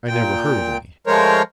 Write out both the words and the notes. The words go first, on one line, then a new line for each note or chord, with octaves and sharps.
I never heard of any.'
A#2 G5
F3 G#3 A3 A#4 C5 C#5